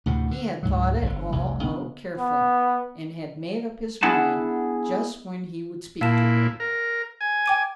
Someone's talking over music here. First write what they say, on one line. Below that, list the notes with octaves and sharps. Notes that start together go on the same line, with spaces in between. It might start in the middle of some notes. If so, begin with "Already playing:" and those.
He had thought it all out carefully and had made up his mind just when he would speak to her.
D2 A2 C3
D3
C#2 G#2 F#3
G1 D3
F1 C2 F2
C#3 B3 D4
B3
B3 D4 E4 G#4 F#5 A5
A#2 E4 F5 A5 E7
A#4
G#5
G5 D6 D#7